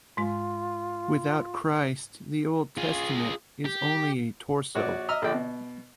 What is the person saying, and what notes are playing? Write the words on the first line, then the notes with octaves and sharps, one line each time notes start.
Without Christ the Old Testament is only a torso.
G#2 G#3 F4
F4 G#4
G4
A#1 F#4 C#5 D5
D#5 E5 A#5 E6 F6
A#1 D3 F3 D5 G5
B2